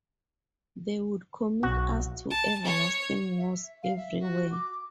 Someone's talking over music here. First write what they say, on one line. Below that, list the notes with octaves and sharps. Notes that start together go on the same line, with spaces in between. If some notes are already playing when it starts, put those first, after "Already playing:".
They would commit us to everlasting wars everywhere.
B1 F#4
A5
C#5
E5
F5
E5
F#4
D6